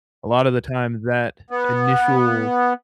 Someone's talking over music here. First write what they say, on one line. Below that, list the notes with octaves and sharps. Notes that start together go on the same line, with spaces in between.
a lotta the time that initial
B3